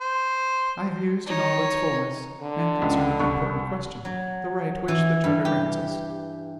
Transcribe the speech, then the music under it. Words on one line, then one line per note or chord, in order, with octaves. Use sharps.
I have used, in all its fulness, and concerning an important question, the right which the charter grants us.
C5
D#4 C#5
D3
C#2
C2 C#6
F#3
E3
G2
G4